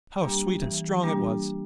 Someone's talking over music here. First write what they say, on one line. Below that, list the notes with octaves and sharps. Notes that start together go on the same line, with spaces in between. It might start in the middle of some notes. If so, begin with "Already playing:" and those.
How sweet and strong it was!
G3 A#3 D4 G4
E3
G3 A#3 D4 G4